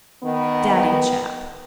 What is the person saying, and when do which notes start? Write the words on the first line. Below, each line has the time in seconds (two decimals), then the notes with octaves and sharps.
Daddy Jap.
0.24 D#3 B3